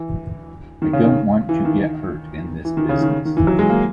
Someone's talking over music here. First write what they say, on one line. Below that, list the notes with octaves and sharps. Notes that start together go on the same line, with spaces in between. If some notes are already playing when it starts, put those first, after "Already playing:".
I don't want to get hurt in this business.
Already playing: E3
D#3
C#3
D#3
E3
D#3
E3
D#3
C#3
D#3
D#3
E3
F#3
G#3
A#3